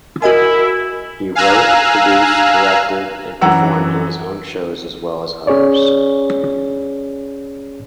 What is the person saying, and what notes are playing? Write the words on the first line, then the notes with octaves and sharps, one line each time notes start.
He wrote, produced, directed, and performed in his own shows as well as others.
E4 F#4 A#4 D#5 G#5
F5 G#5 A#5 E6 F#6
F#2 E3 F#4 F#5 A#5 E6
C#4 G#4 C#5 D5